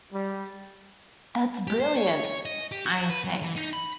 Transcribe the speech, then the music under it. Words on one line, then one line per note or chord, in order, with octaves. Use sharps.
That's brilliant, I think.
G3
G4
C5
C#5
C#5
D#5
G4
F#4
B4
F#3
E3
D#4
B5